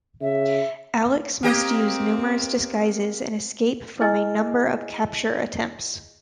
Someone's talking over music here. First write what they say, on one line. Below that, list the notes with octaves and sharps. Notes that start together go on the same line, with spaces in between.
Alex must use numerous disguises and escape from a number of capture attempts.
C#3 E5
A#3 C4 G4 D#5
E4 G#4 D#5 G#5 F6 A6